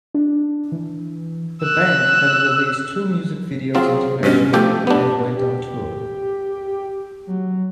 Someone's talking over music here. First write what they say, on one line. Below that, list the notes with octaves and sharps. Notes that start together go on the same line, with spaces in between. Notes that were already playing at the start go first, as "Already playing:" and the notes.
The band then released two music videos internationally and went on tour.
D4
E3
E6 F#6
F#3 C4 F4 G#4
G2 B2 C#4
F3 A3 G4 A4
B3 D4 G4
G4
F#3